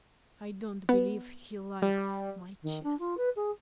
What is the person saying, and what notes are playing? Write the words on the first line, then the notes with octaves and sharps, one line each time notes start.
"I don't believe he likes my chest."
B3
G3
D#3
D4
F4
B4
G#4